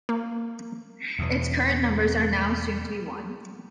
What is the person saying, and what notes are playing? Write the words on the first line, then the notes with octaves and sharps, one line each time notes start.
Its current numbers are now assumed to be one.
A#3
E2 B2